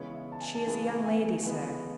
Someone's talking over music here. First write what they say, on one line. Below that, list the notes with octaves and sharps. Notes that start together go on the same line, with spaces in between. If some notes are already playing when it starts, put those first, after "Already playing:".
"She is a young lady, sir."
Already playing: C#3 E3 G#3 B3 C#5
E5
A5
G#5
A5
C#3 E3 G#3 B3 G#5
G#5
C#3 E3 G#3 B3 G#5